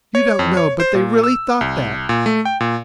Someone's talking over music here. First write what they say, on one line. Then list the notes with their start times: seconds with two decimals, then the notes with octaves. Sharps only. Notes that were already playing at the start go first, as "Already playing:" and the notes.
You don't know, but they really thought that.
0.15 C#5
0.39 F2
0.57 C#5
0.80 C5
0.95 A#2
1.24 E6
1.61 C2
2.09 A#2
2.26 A3
2.45 G5
2.60 A#2